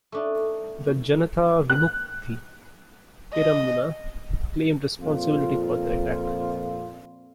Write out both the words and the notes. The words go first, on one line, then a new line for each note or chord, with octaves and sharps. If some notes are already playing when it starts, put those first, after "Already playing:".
The Janatha Vimukthi Peramuna claimed responsibility for the attack.
A3 D4 D#4
F#6
D#5
F2 A#2 F4